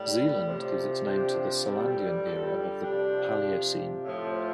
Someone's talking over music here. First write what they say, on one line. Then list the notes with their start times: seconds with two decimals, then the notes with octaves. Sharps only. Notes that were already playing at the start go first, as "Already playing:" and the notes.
Zealand gives its name to the Selandian era of the Paleocene.
Already playing: A2 G3
0.46 C3 F3
1.05 D4 G4
1.66 G2 D3 G3
2.25 F4 A4
2.84 C3 F3 D4 G4
4.05 A2 F3